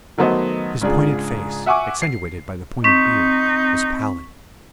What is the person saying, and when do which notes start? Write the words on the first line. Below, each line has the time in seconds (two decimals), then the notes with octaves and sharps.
His pointed face, accentuated by the pointed beard, was pallid.
0.18 D#3 F#3 A3 B3 C5 D#5
0.81 G#2 C#3 D4 F4 G#4
1.66 E5 F#5 G#5 C#6 D6
2.02 C7
2.84 C4 D#4 C#6 B6